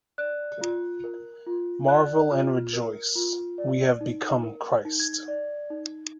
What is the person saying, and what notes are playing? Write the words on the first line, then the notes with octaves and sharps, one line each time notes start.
Marvel and rejoice: we have become Christ.
D5 F#6
F4
A#4
F4
D5 F#6
F4 F6
A#4
F4
D5
D#4
A#4
D#4
G#6
D5
D#4